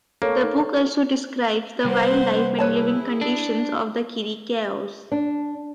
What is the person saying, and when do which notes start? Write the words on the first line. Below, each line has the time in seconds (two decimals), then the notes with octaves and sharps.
The book also describes the wildlife and living conditions of the Chiricahuas.
0.22 A#3 A4 C#5
0.44 D#4
1.84 C3 G3 A#3 B4 C5 F#5
2.59 E4 G#4 B4 C#5 A5
3.21 D4
5.12 D4